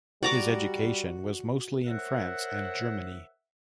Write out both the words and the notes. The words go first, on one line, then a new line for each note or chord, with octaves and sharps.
His education was mostly in France and Germany.
G3 F#4 D5 A#5 D6
A#4 C5 C#5 E5 F#5